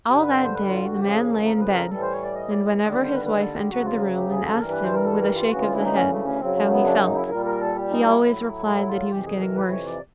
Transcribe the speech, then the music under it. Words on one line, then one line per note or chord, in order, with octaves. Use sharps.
All that day the man lay in bed, and whenever his wife entered the room and asked him, with a shake of the head, how he felt, he always replied that he was getting worse.
G2 D3 G3 G4
B4
C5
C5
B4
F4
F#4
F2 C#3 F3 G4
G#4
A#4
A#4
B4
A#4
A2 E3 G3 A4
C5
C#5
D5
D#5
D5
D#5
D#2 D3 G3 D#5
D5
C5
B4
B4
A4
G4
D2 C#3 F#3 F#4
F4
G4
G#4
A4
G2 E3 G3 A#4
B4
C5
A#4
A4
A#4
F4
D2 C#3 E3 F#4
F4
E4
D4
D#4
C#4
A3
C#4
F#2 C#3 F#3 C4
A3
B3
D4
D#4
E4
A#2 G3 A#4
A#4
A4
G4
D#4
E4
A2 F#3
E4
F4
F2 C3 E3 G4
G#4
A#4
B4
C#5
D5